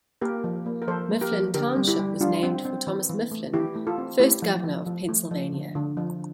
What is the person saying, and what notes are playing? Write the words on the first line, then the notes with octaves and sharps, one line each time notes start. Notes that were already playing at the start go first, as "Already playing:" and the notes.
Mifflin Township was named for Thomas Mifflin, first governor of Pennsylvania.
A#3 G4 A#4
F3
A#3
A#4
F3 A4 C5
A#3
G4 A#4
F3
D3 G4 A#4
G3
E4 G4
G3
G3 D4 F4
C4
C4
E3
E3
A3
E3 E4 G4
A3
F4 A4
C4
A3 E4 G4
F3
F3
F3
A3
F3
D3
D3
F3